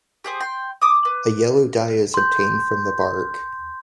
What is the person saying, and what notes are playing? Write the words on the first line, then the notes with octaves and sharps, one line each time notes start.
A yellow dye is obtained from the bark.
G4 G#4 C5
G5 C6
D6 D#6
B4
C6 G6